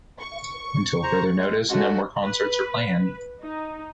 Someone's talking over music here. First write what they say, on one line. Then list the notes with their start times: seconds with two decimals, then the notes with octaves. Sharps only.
Until further notice, no more concerts are planned.
0.20 C#6
1.03 C5 A#5
1.37 G#3
1.69 G#3 A3 C#4 F#4
2.21 B4
3.42 D#4